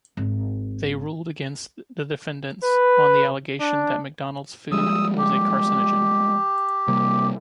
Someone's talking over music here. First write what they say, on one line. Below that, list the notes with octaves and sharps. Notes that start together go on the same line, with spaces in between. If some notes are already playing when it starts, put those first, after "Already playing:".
They ruled against the defendants on the allegation that McDonald's food was a carcinogen.
G#1
B4
D4
F3 G3 G#3 D#6 E6
G4
C3 G3 A#3